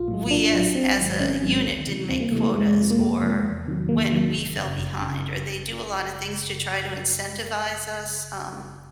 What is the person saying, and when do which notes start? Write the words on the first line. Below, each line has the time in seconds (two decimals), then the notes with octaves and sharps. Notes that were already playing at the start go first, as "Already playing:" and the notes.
we as as a unit didn't make quotas or when we fell behind or they do a lotta things to try to incentivize us, um,
Already playing: A#1 F4
0.08 A2 F#3
0.30 A#1 D4
0.53 A2 F#3
0.75 A1 C4
0.97 G#2 D#3 F#3
1.20 A1 C#4
1.43 G#2 D#3 F#3
1.65 D2
1.87 C3 E3 G3
2.09 D2 C4
2.20 A#3
2.32 C3 E3 G3 A3
2.43 A3
2.54 F2 G#3
2.77 C3 F3
2.90 A#3
2.99 F2 A3
3.22 C3 F3
3.44 E2
3.66 C3 D#3 F#3
3.89 E2 A#3
4.11 C3 D#3 F#3
4.33 G1
4.56 F#2 C#3
4.78 G1
5.02 C#3